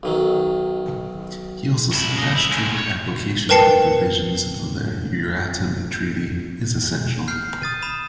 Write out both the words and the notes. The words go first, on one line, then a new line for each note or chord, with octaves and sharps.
He also said that, strict application of provisions of the Euratom Treaty is essential.
B1 D#3 F#3
C2 E4
C#3 D#5
E4
G#3 E4
C#5
A#4 B4 G5 A5 C7 C#7
F6 G6 C7
D#6 A6 D#7
B5 E7